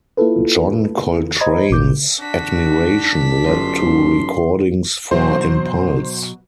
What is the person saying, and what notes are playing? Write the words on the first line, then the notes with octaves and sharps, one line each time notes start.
John Coltrane's admiration led to recordings for Impulse!
A#3 E4 F4 A4 B4
C5 D#5 A#5 B5 G#6
G#1 A#2 D6 G6
D4 F#4 B6
G1 F#2 D#5 C6
B2 F#3 C5